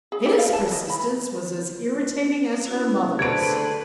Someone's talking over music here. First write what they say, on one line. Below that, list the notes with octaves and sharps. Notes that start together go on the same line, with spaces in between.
His persistence was as irritating as her mother's.
G#4
G4
F5
A5
D#5
B5
C#4 E4 F#4
D3 A3 G#4 B4 C5 A5 G#6 D7